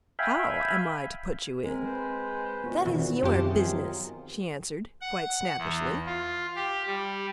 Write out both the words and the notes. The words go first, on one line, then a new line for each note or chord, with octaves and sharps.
"How am I to put you in?" "That is your business," she answered, quite snappishly.
E5 F5 G5 G#5 B5
G#3 C4 A#4
B4 C5
D2 A#2 B3 F#4
B2 D#3 E3 B3
F#2 C3 F4 G4 A5
D#3 F#3 F4 G#4
F#5
E2
F4
G4
G3